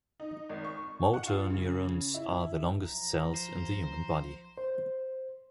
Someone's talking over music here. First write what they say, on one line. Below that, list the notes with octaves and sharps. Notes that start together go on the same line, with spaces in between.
Motor neurons are the longest cells in the human body.
D#4
G#1
C#6
F#5
F4
C#3
E4
B1 F3 A#5
C5
C5